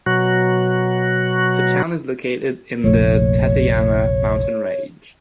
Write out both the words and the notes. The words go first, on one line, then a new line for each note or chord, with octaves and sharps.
The town is located in the Tateyama Mountain Range.
B2 F#3 F#4
F1 A#1 A3 C#5